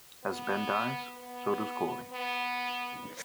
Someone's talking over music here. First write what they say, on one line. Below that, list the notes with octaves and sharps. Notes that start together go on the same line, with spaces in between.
As Ben dies, so does Glory.
B3
B3
B3